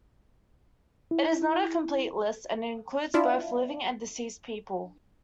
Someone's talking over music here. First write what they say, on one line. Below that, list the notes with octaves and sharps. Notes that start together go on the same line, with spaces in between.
It is not a complete list and it includes both living and deceased people.
E4
D4 E4 F4